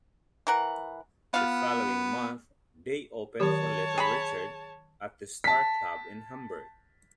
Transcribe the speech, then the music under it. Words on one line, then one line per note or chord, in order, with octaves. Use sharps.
The following month, they opened for Little Richard at the Star Club in Hamburg.
E3 A#4 F#5
B3 F4 F5
D#3 F#3 G4 C#5 A5
G#4 A#5 B5
A5 B6